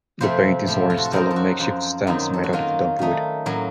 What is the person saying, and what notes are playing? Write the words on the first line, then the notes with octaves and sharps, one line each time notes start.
The paintings were installed on makeshift stands made out of dump wood.
F2 C3 F3 A3 C4 C5
A2 F3 A3 C4
F4
F#4
A4
F#2 F3 C4 D#4 A#4
A4
F#4
F#2 F3 C4
F#2 D#3 F#3 C4 D#4
A4
F#4
D#3 F#3 A#3 C#4 F4
D#3 A3 D#4
A2 F#3 A#3 C#4